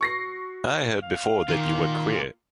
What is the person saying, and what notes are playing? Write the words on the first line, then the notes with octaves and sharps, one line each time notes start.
I heard before that you were queer.
F#4 C#6 A#6 C7
F5
A#2 D#3 F4